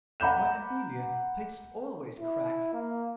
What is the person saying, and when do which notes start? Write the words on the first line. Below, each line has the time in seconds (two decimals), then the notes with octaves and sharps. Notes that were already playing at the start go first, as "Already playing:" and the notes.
"Why, Amelia, plaits always crack!"
0.20 F#5 A#5 B5 D6 G6 E7
2.20 E4
2.73 A#3